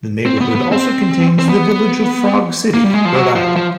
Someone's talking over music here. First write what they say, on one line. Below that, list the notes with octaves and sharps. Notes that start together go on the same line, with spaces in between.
The neighborhood also contains the village of Frog City, Rhode Island.
C4
B3
B3
C4
C4
B3
A#3
G3
G#3
F3
F#3
F3
F3